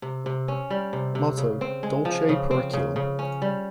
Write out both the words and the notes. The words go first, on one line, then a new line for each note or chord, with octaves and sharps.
Motto: Dulce Periculum.
C3
C3
C#4
G3
C3
C3
C#3
C4
G#3
F3
C#3
C4
C#3
C#3
C#4
G3